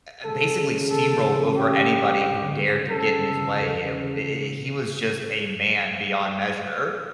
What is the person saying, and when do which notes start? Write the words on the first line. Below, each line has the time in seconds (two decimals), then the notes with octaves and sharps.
uh, basically steamrolled over anybody who dared to get in his way. It i i he was just a man beyond measure.
0.24 G#3 A4
0.41 C#3
0.58 D#3
0.75 G#3
0.91 C4 A4
1.08 F3
1.24 C#4
1.41 F#3
1.57 C4 G4
1.74 D#3
1.91 D4
2.07 F#3
2.24 D#2
2.41 D3
2.57 B3
2.74 C#3
2.90 E4 A4
3.07 G3
3.23 B3
3.41 D#3
3.57 E2
3.73 C#3
3.90 D#4